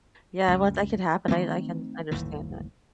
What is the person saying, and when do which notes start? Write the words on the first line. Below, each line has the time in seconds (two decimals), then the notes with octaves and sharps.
Yeah. Well, that could happen. I I can understand that.
0.48 C#2 F#2
1.28 D#3 E3 A3 C4
2.11 G1 D#2 A2 E3